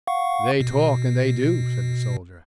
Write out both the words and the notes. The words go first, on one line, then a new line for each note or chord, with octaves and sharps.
"They talk--and they do," said the soldier.
F5 F#5 C#6
B2